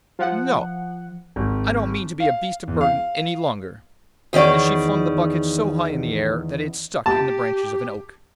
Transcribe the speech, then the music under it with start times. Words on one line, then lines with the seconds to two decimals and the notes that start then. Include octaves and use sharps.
'No; I don't mean to be a beast of burden any longer.' And she flung the bucket so high in the air that it stuck in the branches of an oak.
0.19 F3 F#5
1.36 G#1
2.20 F5
2.68 E2
2.81 F5
4.33 E2 D#3 C#4 D5
7.06 G4 A5